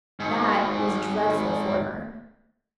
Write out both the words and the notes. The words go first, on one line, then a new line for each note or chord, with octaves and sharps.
That was dreadful for her.
G#2 D#3